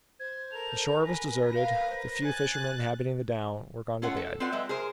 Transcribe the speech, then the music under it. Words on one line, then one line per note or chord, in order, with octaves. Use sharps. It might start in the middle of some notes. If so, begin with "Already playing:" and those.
The shore was deserted; the few fishermen inhabiting the down were gone to bed.
C5 G#6
A4 A#4 F7
A#4 B4 G#5 A#6
F5
C5
G#5 F#6 A6
A3 C#4 F4 C#5 F#5
A4
C4 F4 F#4 B4 D5 F#5
F#3 G#3 C4 E5
G#4 A#4 C5